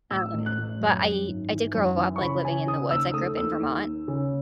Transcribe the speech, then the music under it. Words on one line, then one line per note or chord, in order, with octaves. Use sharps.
Um, but I I did grow up, like, living in the woods. I grew up in Vermont.
A1 E6
A1
F#6
A1
F#2
F#2
G#1
E3
F#2
E3
C#6
C#3 B5
C#3 G#5
C#3 D#6
D#2 E6
E6
A3 D#6
D#2 E6
D#2
D#2
C#3